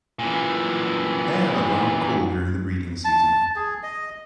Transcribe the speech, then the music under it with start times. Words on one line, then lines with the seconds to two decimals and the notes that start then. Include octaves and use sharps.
They have a loud call during the breeding season.
0.19 A#2 E3
3.05 A5
3.56 G#4
3.83 D#5